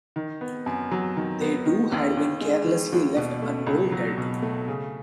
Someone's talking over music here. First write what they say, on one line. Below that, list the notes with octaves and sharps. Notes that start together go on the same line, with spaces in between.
They, too, had been carelessly left unbolted.
D#3
B3
F#2
F#3
D#3
B3
D#3
D#2
D#2
G#3
D#3
D#2
B2
A3
C#2
F#3
B2
A3
C#3